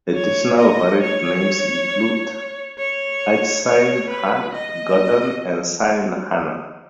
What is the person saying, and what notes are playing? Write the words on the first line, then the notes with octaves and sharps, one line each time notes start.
Additional variant names include: Achsinne-hanne, Gordon, and Sinne-hanna.
C#5
D#5
C#5
C#5
C#5
B4
D#5